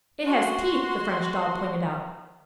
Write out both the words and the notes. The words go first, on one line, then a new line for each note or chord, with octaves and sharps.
"It has teeth!" the French doll pointed out.
F#4 C6